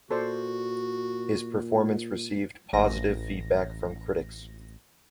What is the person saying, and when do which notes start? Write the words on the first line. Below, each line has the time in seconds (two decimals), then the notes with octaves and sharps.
His performance received positive feedback from critics.
0.11 A#2 F#4 A4 C5 D5
2.73 A1 A#6